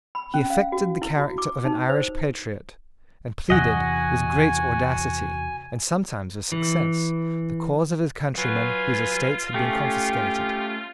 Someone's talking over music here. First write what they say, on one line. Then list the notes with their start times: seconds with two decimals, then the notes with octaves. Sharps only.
He affected the character of an Irish patriot, and pleaded, with great audacity, and sometimes with success, the cause of his countrymen whose estates had been confiscated.
0.15 B5
0.34 C#4
0.50 F5
0.72 F#4
1.02 E4
1.18 F#4
1.38 D6
1.65 D#4
1.89 C5
3.50 E2 C3 E3 F#4 D#5 F#5 G#5
6.52 E3
8.38 F#3 F4 B4 G#5 C7
9.54 A3 C#4 G4 G5